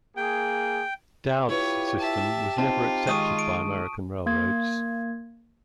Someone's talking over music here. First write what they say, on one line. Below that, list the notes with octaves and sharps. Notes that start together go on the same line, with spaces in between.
Dowd's system was never accepted by American railroads.
A#3 G#4 G5
E4 F4 G4 B4 C#5
E5 A5
C4 D#4 F4 A5
D#3 G#3 C#6 D#6 D#7
D7
A#3 G#6